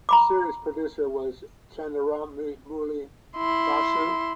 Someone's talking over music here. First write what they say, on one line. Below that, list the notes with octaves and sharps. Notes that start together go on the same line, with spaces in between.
The Series Producer was Chandramouli Basu.
A#5 B5 D6
E4 C6